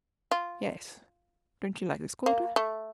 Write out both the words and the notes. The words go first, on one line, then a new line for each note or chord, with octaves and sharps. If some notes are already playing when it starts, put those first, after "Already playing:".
"Yes; don't you like this quarter?"
F4
A#3
A3